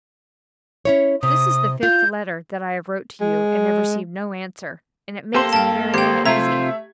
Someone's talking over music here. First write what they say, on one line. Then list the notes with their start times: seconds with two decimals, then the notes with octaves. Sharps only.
This is the fifth letter that I have wrote to you, and have received no answer, and it makes me very uneasy.
0.85 C#4 E4 C#5
1.23 C3 D#6
1.83 F4 G6
3.21 G#3
5.34 A#3 G4 A4 C5 C6
5.53 G2 G5 A5
5.94 G#1 G4 C5 G5
6.25 C3 A3 F4 C5 E5 A#5 G#6